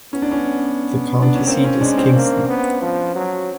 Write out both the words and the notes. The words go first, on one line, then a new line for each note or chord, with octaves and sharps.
The county seat is Kingston.
B3 C#4
D4
C#4
D4
C#4
A#3 C4
C#4
G#3 D4
C4
A#3
B3
F3
F#3